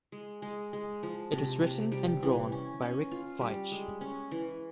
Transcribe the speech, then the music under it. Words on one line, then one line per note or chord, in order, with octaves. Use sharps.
It was written and drawn by Rick Veitch.
G#3
G#3
G#3
F3
C3
C3
G3
E3
C#4
C#4
F4
G3
G#3
C#4
E3